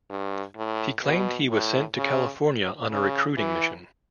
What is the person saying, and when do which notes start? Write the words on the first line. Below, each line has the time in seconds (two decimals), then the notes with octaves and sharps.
He claimed he was sent to California on a recruiting mission.
0.10 G2
0.56 A2
1.04 B2
1.50 A2
1.97 C#3
2.91 C#3
3.37 E3